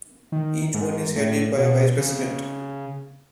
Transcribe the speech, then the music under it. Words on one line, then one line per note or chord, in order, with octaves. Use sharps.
Each one is headed by a vice president.
D#3
G#2
A2
B2
C#3